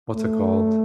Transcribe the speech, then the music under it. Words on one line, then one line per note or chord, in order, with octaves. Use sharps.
what's it called
A3